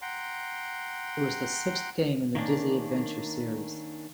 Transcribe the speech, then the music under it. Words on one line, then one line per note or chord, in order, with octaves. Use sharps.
It was the sixth game in the Dizzy adventure series.
F#5 G5 A#5 C6
D#3 A#3 C#4 D4